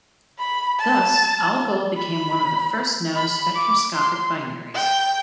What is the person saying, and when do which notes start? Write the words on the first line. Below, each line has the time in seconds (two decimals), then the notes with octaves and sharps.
Thus Algol became one of the first known spectroscopic binaries.
0.39 B5
0.79 A5
1.97 B5
3.15 B5
3.55 D6
3.94 C6
4.74 G5